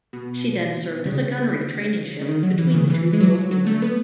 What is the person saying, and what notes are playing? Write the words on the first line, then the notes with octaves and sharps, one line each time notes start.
She then served as a gunnery training ship between the two world wars.
B2
C#3
C#3
D#3
F#3
E3
C#3
E3
G#3
F#3
F#3
A3
B3